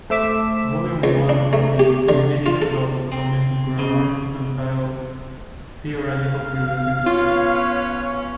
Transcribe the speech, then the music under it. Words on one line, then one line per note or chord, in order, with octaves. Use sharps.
Volume one of the "Foundations of Cognitive Grammar" is entitled "Theoretical Prerequisites".
A3 C5 E5 D6 B6 E7
C#2
D4
A3
G4
D3
F4
A4
C4
C#3
F5
B3 C#4 F4 C#5